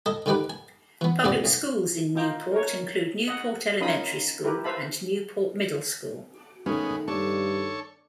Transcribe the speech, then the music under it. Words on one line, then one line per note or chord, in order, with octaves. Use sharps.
Public schools in Newport include Newport Elementary School and Newport Middle School.
A4 D#5 G#5
D3 D#3 D#4 G4 B4
G#5
E3 B3
C#2 G2 C3 B3 C4 D5
B1
D#4 F4 G5
A#4 C#5
D#5 F#5
C#4 D#4 F4 A#4 B5 D#6
E4 G4 A#4 B4
B4 C5 E5 F5 A5 B5
D#3 G#3 A3 B3 C#4
G2 D4 A4 C#5